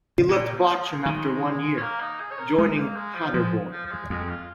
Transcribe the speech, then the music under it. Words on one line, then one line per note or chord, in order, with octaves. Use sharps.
He left Bochum after one year, joining Paderborn.
C#3
A#2 G#3
F3
G#3
F3
G#3
D#3
C#4
A#3
D#4
G#4
C#5
A#4
G#3 D#4
A#3
G#3
F3
F3 G#3
F3
F3
G#3
F2 G#3
F4